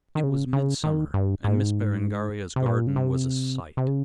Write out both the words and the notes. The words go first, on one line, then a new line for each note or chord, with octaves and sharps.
It was midsummer, and Miss Berengaria's garden was a sight.
D#3
C#3
C#3
D#3
G2
G#2
C3
A#2
C#3
C3
C3
C#3